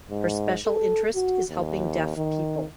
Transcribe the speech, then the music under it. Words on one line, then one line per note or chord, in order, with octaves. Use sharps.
Her special interest is helping deaf people.
G#2
A4
F#4
D#2
D#3